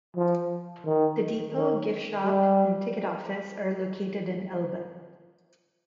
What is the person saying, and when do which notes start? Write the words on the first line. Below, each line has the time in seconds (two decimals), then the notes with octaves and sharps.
The depot, gift shop and ticket office are located in Elbe.
0.16 F3
0.85 D#3
1.55 D#3
2.23 G3